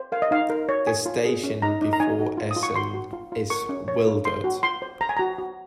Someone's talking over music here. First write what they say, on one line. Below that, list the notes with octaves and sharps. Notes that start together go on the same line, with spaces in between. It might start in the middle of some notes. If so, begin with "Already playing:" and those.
The station before Essen is Wildert.
Already playing: C5
A#4 F5
D#5
D#4 F5
A#4
C#5
C#5 G#5
F4
G#4
C#4
D#4 A#5
D#4
A#5
D#4 G#5
F#4
F4
D#6
F4
C#6
F#4 C6
F#4
F4
F4
A#4 C#6
C#4
C#5
F4
C5 C6
F#4
F4 C6
C5
C5 A#5
G#5
F#4 A#5
F#4